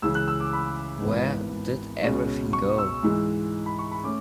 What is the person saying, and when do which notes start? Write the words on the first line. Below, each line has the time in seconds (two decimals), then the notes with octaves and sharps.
Where did everything go?
0.02 C#2 C#3 E3 E6
0.15 F#6
0.28 E6
0.40 D6
0.53 B5
1.02 G#1 G#2 E3 B3
2.03 C#2 B2 G#3 C#4
2.53 C#6
2.78 E6
3.03 G#2 E3 G#3
3.66 B5
3.79 C#6
3.92 B5
4.04 A3 C#4 D6